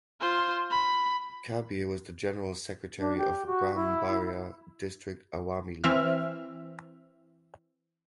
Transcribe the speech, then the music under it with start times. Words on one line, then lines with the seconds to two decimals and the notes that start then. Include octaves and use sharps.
Kabir was the general secretary of Brahmanbaria District Awami League.
0.21 F4 C5
0.71 B5
2.98 D4
3.18 G4
3.46 F#4
3.75 E4
5.84 E3 C4 E5 F6